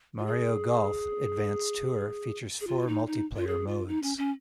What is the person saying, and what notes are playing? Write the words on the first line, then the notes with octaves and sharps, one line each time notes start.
"Mario Golf: Advance Tour" features four multiplayer modes.
F4
G#4
G#4
F4
D#4
D#4
F4
G#4
F4
D#4
C#4
C#4